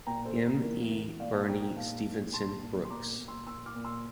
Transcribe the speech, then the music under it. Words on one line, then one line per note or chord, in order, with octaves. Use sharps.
M. E. Birnie Stephenson-Brooks.
A#2 G5 A#5
A4 C5
A#2
E3 A#4
E3
A#2 D5 F5
F5 A5
A#2 G5 A#5
G5 A#5
A#2 F5 A5
A#2
A#2 A5 C6
A#2
C6
A#2 A#5 D6
A#2
C6 E6
A#2 C6 E6
D6 F6
A#2
C6 E6